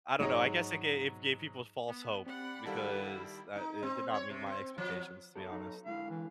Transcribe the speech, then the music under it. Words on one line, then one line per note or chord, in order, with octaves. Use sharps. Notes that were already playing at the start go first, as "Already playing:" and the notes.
I don't know, I guess, it gave it gave people false hope because that it did not meet my expectations, to be honest.
G#2 F#3 G#3 C#5 D#5 A#5
B3
C4 G4 D5 F#5 B5
D#3 G3 E4 A4 F5 F#5 A5
D#4
C4
C#5
C3
C4
F3
F#3 B3 A4
D#4
D3 G#3 E4 F5
E3